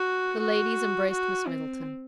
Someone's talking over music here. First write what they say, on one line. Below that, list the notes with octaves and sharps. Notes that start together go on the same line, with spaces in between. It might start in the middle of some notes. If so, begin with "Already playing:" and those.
The ladies embraced Miss Middleton.
Already playing: F#4
F#4
F#4
C4